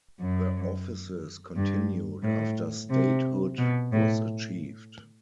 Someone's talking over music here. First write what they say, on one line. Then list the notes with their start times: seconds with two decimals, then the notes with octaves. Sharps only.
The offices continued after statehood was achieved.
0.20 F#2
1.56 G2
2.23 A2
2.91 C3
3.58 B2
3.92 A2